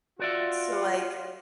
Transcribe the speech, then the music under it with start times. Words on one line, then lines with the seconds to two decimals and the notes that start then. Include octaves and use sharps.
So like
0.19 F4 F#4 D5 E5